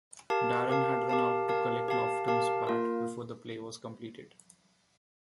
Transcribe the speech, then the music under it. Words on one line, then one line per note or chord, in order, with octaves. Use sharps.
Darren had run out to collect Lofton's bat before the play was completed.
G4 A#4 F5 A5
G4 A#4 F5 A5
G4 A#4 F5 A5
G4 A#4 F5 A5
G4 A#4 F5 A5
G4 A#4 F5 A5
A#3 F4 A#4